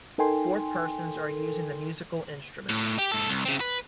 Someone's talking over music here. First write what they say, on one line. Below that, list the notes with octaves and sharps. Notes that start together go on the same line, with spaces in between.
Four persons are using the musical instruments.
D#4 A4 A#4 G5 G#5 C6
A2
G4
G#2 A4
C2
C#3 C4
B4